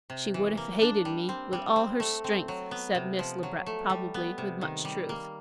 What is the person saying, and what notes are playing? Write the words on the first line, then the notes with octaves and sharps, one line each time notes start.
"She would have hated me with all her strength," said Miss Le Breton, probably with much truth.
C3
E3
A#3
D4
G3
C4
G3
C4
A3
C4
F#3
B3
C3
F3
F#3
A3
G3
B3
C3
D#3
G3
A#3